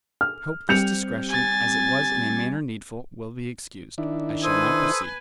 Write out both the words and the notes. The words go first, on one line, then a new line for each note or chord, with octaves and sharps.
I hope this digression, as it was in a manner needful, will be excused. I shall now proceed.
F6
G3 C4 G4 G6 C#7 F7
G#5 A6
D#3 D4 E4
A4 B4 C5 G#5 D#6